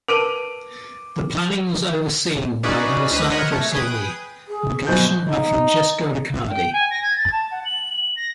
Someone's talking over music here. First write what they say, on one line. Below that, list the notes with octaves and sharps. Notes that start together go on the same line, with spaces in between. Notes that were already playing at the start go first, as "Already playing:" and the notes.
The planning was overseen by Alessandro Segni and commissioned by Francesco Riccardi.
A#4 B4 A5 D6 D7 D#7
C#4 D#4 F#4 G#4 B4 D5
D2 G4 B4 C5 D#5 B6
A#4 B4 C#5 D#5 F#5
A3 C#5
G#4 B4 G5 D#6
G#4
F#2 B2 C5 G6
D#4
G5
G#5
A#6
G#6
A6
A5
F#5
F#7
F#7
A#6